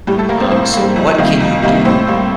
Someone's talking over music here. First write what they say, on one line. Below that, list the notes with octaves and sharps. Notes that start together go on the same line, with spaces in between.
um, so what can you do
A2 G3 G4
A3 A4
G3 A#3 A#4
C4 C5
A2 C4 C5
G3 A#3
F2
C3 D#3 G3 A#3
F2
C3 D#3 G3 A#3
A2 C4 C5
G3 A#3